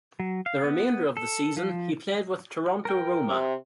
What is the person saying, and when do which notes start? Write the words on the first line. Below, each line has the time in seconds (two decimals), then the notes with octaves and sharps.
The remainder of the season he played with Toronto Roma.
0.20 F#3
0.46 F5
0.64 B3
1.17 A4
1.57 F3
2.85 A#4 G5
3.28 C3